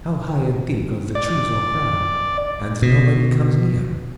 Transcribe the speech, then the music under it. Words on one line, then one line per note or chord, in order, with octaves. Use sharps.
How high and thick are the trees all round! and nobody comes near.'
D5
B2